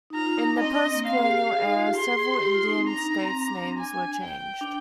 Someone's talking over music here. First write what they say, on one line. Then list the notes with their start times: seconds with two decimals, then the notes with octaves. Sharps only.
In the post-colonial era, several Indian states' names were changed.
0.10 D#4
0.14 F4 A#5
0.26 F4
0.37 D#4
0.49 D4
0.60 C4 D#5
0.71 D4
0.83 C4
0.94 A#3
1.06 C4 F5
1.18 G#4
1.28 G4
1.51 G#4
1.64 D#4
1.75 F4
1.86 G4
1.96 G#4 C6
2.19 G#4
2.30 G4
2.42 G4
2.54 F4
2.65 D#4
2.76 C4
2.87 D4 A#5
2.99 D#4
3.22 C4
3.32 C4
3.48 D4
3.63 C4
3.78 D4 G#5
4.23 G5
4.61 D4